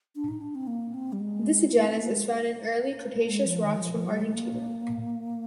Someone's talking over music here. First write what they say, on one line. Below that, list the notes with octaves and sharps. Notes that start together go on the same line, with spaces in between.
This genus is found in Early Cretaceous rocks from Argentina.
D4
D#4
D4
C4
A#3
C4
G3
G#3
A#3
C4
A#3
G#3
G#3
F3
D#3
G3
F3
F3
G3
G#3
A#3